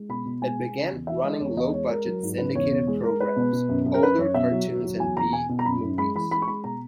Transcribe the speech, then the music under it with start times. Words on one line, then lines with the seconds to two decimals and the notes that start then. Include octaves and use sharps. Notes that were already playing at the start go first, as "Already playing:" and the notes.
It began running low-budget syndicated programs, older cartoons, and B-movies.
Already playing: G#3
0.09 B2 B5
0.25 B2
0.42 G#3 G#5
0.59 G#3
0.74 C#3
0.92 E2
1.07 E3 E5
1.23 G#3 D#5
1.40 E2 C#5
1.56 E2 D#5
1.73 G#3 C#5
1.89 G#3 A#4
2.05 F#3
2.23 G#2
2.38 C#3 B4
2.54 E2 C#5
2.71 B2
2.87 G#3
3.04 G#3 A#4
3.20 G#3 B4
3.36 B2
3.53 B2
3.69 F#2
3.86 F#2
3.94 A#4
4.02 F#2 B4
4.19 F#2 C#5
4.34 B2 E5
4.52 F#3
4.68 F#3
4.84 F#3
5.00 E2 G#5
5.17 E2 A#5
5.33 B2 G#5
5.49 B2
5.59 A#5
5.65 F#2 B5
5.83 F#2
5.98 G#3 B5
6.16 E3 B5
6.31 G#3 B5
6.42 C#6
6.48 G#3 B5
6.64 B2 A#5